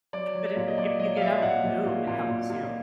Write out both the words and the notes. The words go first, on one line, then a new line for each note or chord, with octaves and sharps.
But if if you get up and move, it helps you.
F#3 D5
F#3
A#2
D#5
F#3 D5
F#3 D#5
F5
F#3 E5
A#2 F#5
A#2
A#2
A#2
A#2
A#2